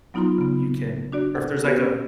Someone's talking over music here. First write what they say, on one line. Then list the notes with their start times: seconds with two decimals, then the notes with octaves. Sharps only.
you can, or if there's like a
0.14 F#3 B3 D#4 F4 A#5 C6
0.38 C#3 B3
1.12 D4 F#4 D5
1.35 A4 F#5
1.65 B3 F#4 G4 B4
1.78 C#4